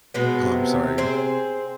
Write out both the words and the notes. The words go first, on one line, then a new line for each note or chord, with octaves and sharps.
Oh, I'm sorry.
B2 G#3 B3
C3
C4 G#4 C5